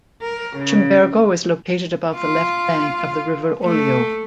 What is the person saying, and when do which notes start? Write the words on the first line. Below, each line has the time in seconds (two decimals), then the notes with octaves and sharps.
Cimbergo is located above the left bank of the river Oglio.
0.22 A#4
0.56 C#3
2.15 F4
3.63 A3